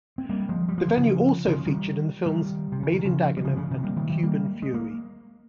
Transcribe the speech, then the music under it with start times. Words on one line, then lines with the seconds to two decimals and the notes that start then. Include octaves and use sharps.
The venue also featured in the films "Made in Dagenham" and "Cuban Fury".
0.18 C4
0.29 G3 A#3
0.49 F3 G#3
0.69 G3
0.78 F3
0.88 D#3
0.97 C#3 F3
1.47 C#3 F3
1.66 D#3 G3
2.26 D#3 G3
2.72 C3
2.83 C#3
2.93 D#3
3.05 C#3 F3
3.37 G3
3.44 C#3 F3
3.57 C#3 F3
3.71 C3 D#3
3.84 G3 A#3
3.96 D#3 G3
4.09 D#3 G3
4.23 G3 A#3
4.62 G#3
4.74 A#3